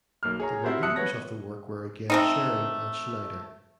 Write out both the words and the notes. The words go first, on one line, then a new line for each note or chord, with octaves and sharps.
The reviewers of the work were again Schering and Schneider.
B1 A#3 F6
G#4 C#5 A#5
C4 E4 F#4 G4 C5
E5 A5 D#6 F#6 C#7
B3 C#5 A#6
A3 C4 D#4